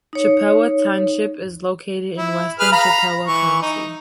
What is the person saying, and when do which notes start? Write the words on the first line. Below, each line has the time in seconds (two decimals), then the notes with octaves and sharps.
Chippewa Township is located in western Chippewa County.
0.13 D#4 C#5
2.17 E4
2.59 G#4 B4 F6
2.72 F5 A#5 B5
3.27 E3 C#6
3.62 D#4